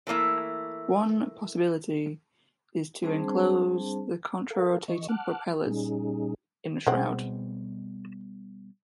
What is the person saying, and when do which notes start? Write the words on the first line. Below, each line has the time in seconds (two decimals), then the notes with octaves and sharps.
One possibility is to enclose the contra-rotating propellers in a shroud.
0.07 E3 A3 A#3 E4
3.03 G3 C4 D4 G#4 C5 A5
4.50 A4 A#4 F5
4.88 E3 D#5 C#6
5.08 F#5 A5 D6 F6 F#6
5.66 A#2 G3 C#4 D#4 G#4
6.87 B2 G3 G#3 C4 F#5